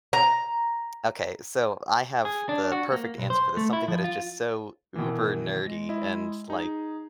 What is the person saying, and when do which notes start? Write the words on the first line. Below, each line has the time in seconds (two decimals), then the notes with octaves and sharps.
Okay, so I have the perfect answer for this, something that is just so uber nerdy and it's like,
0.13 A#5
2.25 G#4
2.49 D4
2.72 F#4
2.92 A#3
3.18 B1
3.30 C5
3.57 A3
3.73 E4
3.88 F3
4.04 F4
4.96 B2 D#3 E3
5.64 G#3 A#6
5.89 E4 D#5 E5
6.50 D#4 G#4